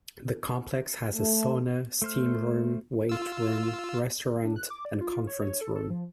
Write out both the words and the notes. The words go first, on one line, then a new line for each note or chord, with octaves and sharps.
The complex has a sauna, steam room, weight room, restaurant and conference room.
A3
A3 C5 F6
F4 E6
D4
F#6
D6
D5
F4
F4
C#5
C#5
A4
A4
F3